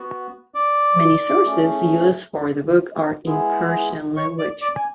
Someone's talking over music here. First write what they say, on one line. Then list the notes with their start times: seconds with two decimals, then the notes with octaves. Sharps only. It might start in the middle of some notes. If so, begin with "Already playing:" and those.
Many sources used for the book are in Persian language.
Already playing: B3 F#4
0.54 D5 D6
1.45 A3 C#4 G#4
3.26 G#3 B3 E4 G#4
4.16 C#5 C#6
4.39 D5 D6
4.61 D5 D6
4.76 G#5